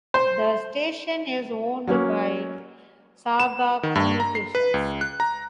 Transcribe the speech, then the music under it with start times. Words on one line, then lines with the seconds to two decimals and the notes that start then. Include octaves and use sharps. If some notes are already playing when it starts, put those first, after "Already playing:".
The station is owned by Saga Communications.
0.14 C5
1.87 F#3 A#3 C#4
3.40 E7
3.83 D#3
3.95 G2
4.20 A#5
4.35 C7
4.55 B4
4.74 C#2
5.01 F#6
5.20 A#5